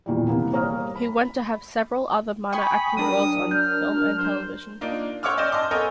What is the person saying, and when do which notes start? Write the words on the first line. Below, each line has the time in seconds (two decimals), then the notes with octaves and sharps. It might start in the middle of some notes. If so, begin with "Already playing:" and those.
He went to have several other minor acting roles on film and television.
0.06 E2 A#2 D#3 E3 G3
0.27 C3 E3 A#3 B3 E4 G4
0.52 G3 A#3 C#5 A#5 D#6 F6
0.96 B5
2.53 G5 G#5 B5 C#6 D#6
2.97 F#3 D4 A#4 D#6
3.51 F6 G6
4.18 C5
4.81 A#3 D4 D#4 F4
5.23 C5 C#5 F#5 D6 E6 F6
5.37 C#4 D5 D#5 G6 E7
5.52 D#5 A5 C6 D6 F6
5.71 B3 A4 A#4 C#5 D#5 G#5